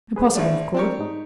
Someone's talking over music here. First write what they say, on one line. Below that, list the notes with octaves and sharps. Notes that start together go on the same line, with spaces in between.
Impossible--of course.
G#4 B4 C5
A1 A3 D4
C4 D4 G4 A#4 C#5
G#2 D#4